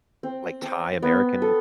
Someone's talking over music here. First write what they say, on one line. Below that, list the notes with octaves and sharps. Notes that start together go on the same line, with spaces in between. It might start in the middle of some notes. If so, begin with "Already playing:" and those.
like, Thai-American
C4
C4
B3
A4